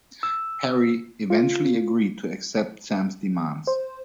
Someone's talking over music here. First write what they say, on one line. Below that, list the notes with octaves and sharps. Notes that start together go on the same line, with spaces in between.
Harry eventually agreed to accept Sam's demands.
E6
F4
C5